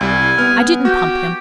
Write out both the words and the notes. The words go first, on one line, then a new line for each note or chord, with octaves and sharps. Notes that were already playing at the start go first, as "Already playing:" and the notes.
I didn't pump him.
C2 G3 G#5
B3 F6
F#4 G4